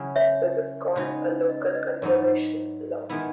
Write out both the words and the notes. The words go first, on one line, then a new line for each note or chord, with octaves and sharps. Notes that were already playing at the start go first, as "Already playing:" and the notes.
This is called a "local conservation" law.
Already playing: C#3 F#3 C#4 E4
C#5 E5
C#3 G#3 B3 D#4
D#5
C#5
B4 D#5
G#2 F#3 B3 D#4 A#4 C#5
D#3 G#3 B3 E4